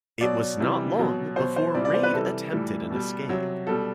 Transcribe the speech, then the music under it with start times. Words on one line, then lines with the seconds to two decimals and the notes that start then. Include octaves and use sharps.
It was not long before Reid attempted an escape.
0.21 B2 F#3 D5
0.60 C3 E3 G3
0.99 B2 F#3
1.36 B2 F#3 C5
1.56 C5
1.74 C3 E3 G3 D5
1.85 D5
1.94 C5
2.03 B4
2.13 C3 E3 G3 A4
2.53 A2 E3 G3
2.90 B2 G3
3.29 C3 F#3
3.67 B2 G3 A4